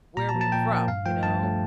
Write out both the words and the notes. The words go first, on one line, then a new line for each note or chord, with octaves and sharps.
where we're from, you know?
A#2 A#5
A5
F3 A#3
A5
A#2 G5
F3 A#3
G2 F5
F3 A3 G5
G2 A5
F3 A3